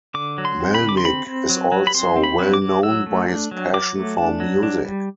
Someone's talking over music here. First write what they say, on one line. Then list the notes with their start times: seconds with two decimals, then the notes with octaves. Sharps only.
Melnick is also well known by his passion for music.
0.14 D3 D6
0.38 F#3
0.45 C6
0.60 C4
0.75 B5
0.82 D3
0.89 D6
0.97 C6
1.05 C4 B5
1.27 C4
1.49 F#3
1.72 F#3
1.87 B5
1.94 C4 C6
2.16 C4
2.24 B5
2.39 F#3
2.54 D6
2.61 F#3
2.83 F#3 E6
3.06 A3
3.29 D4
3.51 F#3
3.74 F#3 D6
3.95 A3
4.18 D4
4.40 F#3
4.63 D4
4.85 G3